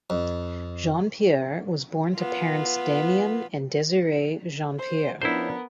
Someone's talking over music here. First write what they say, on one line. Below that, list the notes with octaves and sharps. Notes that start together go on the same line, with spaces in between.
Jeanpiere was born to parents Damion and Desiree Jeanpiere.
F2
B3 F4
C5
F3 B3 C#4 D4 E4 A#4 C5